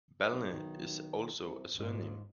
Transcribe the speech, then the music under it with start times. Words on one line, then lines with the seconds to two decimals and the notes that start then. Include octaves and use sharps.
Balne is also a surname.
0.32 B1
0.53 D#3
1.41 C2
1.79 D#1 G#2 F4